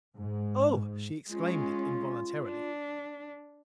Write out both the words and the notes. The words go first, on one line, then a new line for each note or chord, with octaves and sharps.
"Oh!" She exclaimed it involuntarily.
G#2
G#3 C#4 F4
D4